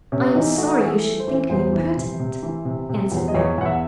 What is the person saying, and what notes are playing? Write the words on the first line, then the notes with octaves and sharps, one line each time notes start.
"I am sorry you should think me impertinent," answered Mary.
C3 C#4
E3 D#4
A3 F#4
E3 G#4
A4
A3
C5
E3
E2 C5
E3
C3
C3
E3
C3
C3
E2
D#5
E2 C#5
E2 F#5
E5